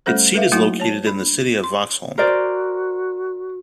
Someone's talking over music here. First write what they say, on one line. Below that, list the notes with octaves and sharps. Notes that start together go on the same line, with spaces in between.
Its seat is located in the city of Vaxholm.
G3 A3 C#4 A4 C5
A4 B4 E5 F5
F#3 A3 A#3 D#4 E4 F#4
C#5 A5
D4
C6
F#4 A#4 C5 D5